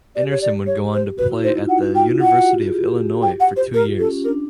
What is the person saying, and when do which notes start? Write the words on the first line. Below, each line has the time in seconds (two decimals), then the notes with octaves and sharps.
Anderson would go on to play at the University of Illinois for two years.
0.16 G4 D5
0.31 C#5
0.41 D5
0.67 C#5
0.93 C5
1.18 F#4 B4
1.31 E4
1.44 D#4 C5
1.57 F4
1.69 F4 F#5
1.83 F#4
1.94 F4 G5
2.08 E4
2.21 F4 F#5
2.33 F#4
2.46 G4
2.59 G#4
2.72 G4
3.22 G5
3.40 F#5
3.56 C5
3.74 G4 A#4
3.87 F4
3.99 C#4 A4
4.12 C#4
4.24 D4 A#4